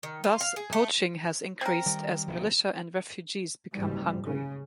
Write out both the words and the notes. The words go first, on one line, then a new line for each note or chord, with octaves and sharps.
Thus, poaching has increased as militia and refugees become hungry.
D#3
F4
F5
G#4
A3
C4 A#4
D#3 G3
D#1 A#1 C3
F#1 C2 G#2 G3
C#3